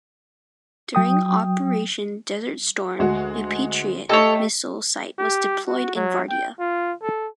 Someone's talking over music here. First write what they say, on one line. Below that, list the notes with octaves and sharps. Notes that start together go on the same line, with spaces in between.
During Operation Desert Storm, a Patriot missile site was deployed in Vardia.
F#3 G5 D#6
D2 G#3 F#4
A3 G4 A4 C#5 D#5 E6
G4
F#4
F#3
G5
F4
A4